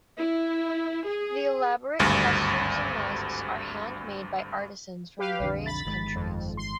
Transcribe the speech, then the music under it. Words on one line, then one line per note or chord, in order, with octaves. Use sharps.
The elaborate costumes and masks are handmade by artisans from various countries.
E4
G#4
G#1 D2 G2
G4 B4 F5
B1 F2 D3
B5 A6
G1 D#3 G#3
F2
C6